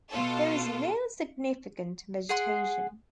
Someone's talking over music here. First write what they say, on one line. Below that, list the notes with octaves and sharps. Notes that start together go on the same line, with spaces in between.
There is no significant vegetation.
B2 F4 A4
G#4 F#5 C6